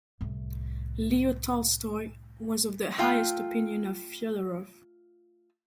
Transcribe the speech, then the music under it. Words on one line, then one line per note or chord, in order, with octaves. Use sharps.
Leo Tolstoy was of the highest opinion of Fyodorov.
C2 A2
A3 F4 G5